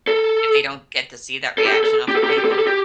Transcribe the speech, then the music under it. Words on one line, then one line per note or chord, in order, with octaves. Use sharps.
If they don't get to see that reaction off of people,
A4
A4
G4
A4
A4
G4
A4
G4
A4
G4
A4
G4
A4
G4